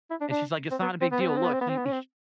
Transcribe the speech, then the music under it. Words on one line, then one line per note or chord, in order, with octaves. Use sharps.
And she's, like, "It's not a big deal. Look. He he
E4
D4
D4
C4
B3
C4
B3
C4
B3
C4
B3
C4
B3
C4
B3
C#4
C4